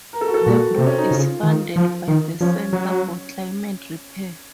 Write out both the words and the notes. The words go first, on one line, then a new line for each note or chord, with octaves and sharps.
The group is funded by the Centre for Climate Repair.
A#4
A4
F#4
A4
A#2 F#4
C3 C4
C#4
D#4
C#3 F4
D#3
F3
D#3
F3 C#4
F#3